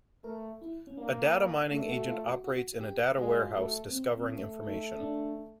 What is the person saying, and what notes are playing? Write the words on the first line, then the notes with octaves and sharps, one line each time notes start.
A data mining agent operates in a data warehouse discovering information.
A3 A#4
E4
C#4
A#3 D4
A3 D4
F#4
F4
F#4
F#4
G4
G#3 G4
F#4
F4
A3 F#4
C4
C4
A3 C#4
D#4
D4